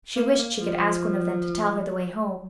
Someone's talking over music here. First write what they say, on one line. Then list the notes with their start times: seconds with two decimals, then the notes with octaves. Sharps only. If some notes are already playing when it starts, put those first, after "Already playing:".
She wished she could ask one of them to tell her the way home.
0.16 A#3
0.39 A#3
0.61 F3